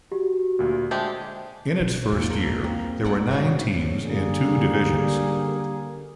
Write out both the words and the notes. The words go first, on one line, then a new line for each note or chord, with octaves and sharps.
In its first year, there were nine teams in two divisions.
F#4 G4
D2 A#2
G#3 D4 F#4 G4 C5 E5
B2 E3
E2 A#2
A4 A#4 G5
A#3 C4
B3 D4 F#5 D6
C3 C4 F#4 C#5 D5
D3 G3 A#3 G#4